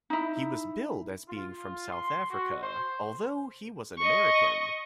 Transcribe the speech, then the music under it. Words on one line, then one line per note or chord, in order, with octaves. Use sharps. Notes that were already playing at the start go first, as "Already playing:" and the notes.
He was billed as being from South Africa, although he was an American.
D#4 E4
F4
C6
F#4
C5
D#5 C#6